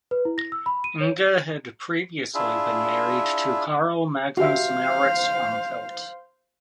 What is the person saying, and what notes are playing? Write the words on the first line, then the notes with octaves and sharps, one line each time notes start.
Inge had previously been married to Carl Magnus Mauritz Armfelt.
B4
E4
A#6
E6
B5
D#7
C#5
D4 E4 F4 G#4 E5
F#4 G4 C5 E5 F5